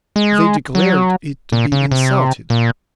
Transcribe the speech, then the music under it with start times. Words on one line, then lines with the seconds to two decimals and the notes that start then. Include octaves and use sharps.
They declared it to be insulted.
0.16 G#3
0.75 F#3
1.52 A#2
1.72 C#3
1.92 C3
2.50 A#2